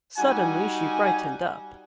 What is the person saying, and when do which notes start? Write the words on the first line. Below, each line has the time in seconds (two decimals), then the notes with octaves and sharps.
Suddenly she brightened up.
0.17 G3 D#4 F#4 G#5